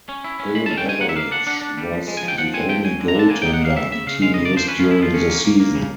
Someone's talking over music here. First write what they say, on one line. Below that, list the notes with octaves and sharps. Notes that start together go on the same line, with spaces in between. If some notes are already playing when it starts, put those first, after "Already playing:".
Bill Beveridge was the only goaltender the team used during the season.
C#4
E4
C#4
G#3 B5
C#4 A5
G5
G#3 G#5
A#3 F#5
E5
A#3 F5
D4 F#5
D4 F#5
D4
G3
F3
G#3
G#5
F3
G5
F3 F#5
C4 G#5
F3 G5
F#3 G#5
D3
A#5
D3 A5
A#3 G#5
D#4 G5
F#5
A#3 F5
C#3 E5
C#3 E5
C#3 F5
G#3 F5
C#3 D#5
D5
F3 C5
C#4 B4
F3 F4
E4
F3 F4
C#4
A#3
A#3
A#3
C#3